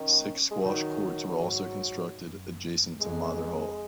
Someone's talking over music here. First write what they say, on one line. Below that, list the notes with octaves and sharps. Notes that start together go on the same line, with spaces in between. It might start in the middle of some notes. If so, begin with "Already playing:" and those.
Six squash courts were also constructed, adjacent to Mather Hall.
Already playing: D#3 C#4
G#3
D#3 F#3
G#2
F#2
F2 G#3